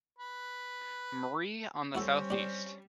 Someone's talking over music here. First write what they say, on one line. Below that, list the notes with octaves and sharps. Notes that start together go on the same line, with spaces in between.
Marie on the southeast.
B4
G3 C4 C#4 E4 F#4 A4
D4 G4